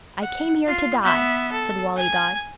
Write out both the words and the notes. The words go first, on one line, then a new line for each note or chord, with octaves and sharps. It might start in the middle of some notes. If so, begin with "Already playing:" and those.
'I came here to die,' said Wali Dad.
F#5
F4 C7
B3 E5
A4
G#5 G#6